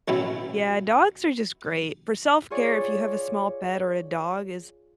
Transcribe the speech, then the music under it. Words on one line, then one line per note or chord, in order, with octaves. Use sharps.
Yeah, dogs are just great. For self-care, if you have a small pet or a dog is
A1 B2 F#3 C#4 E4
F4 G#4 C#5 D5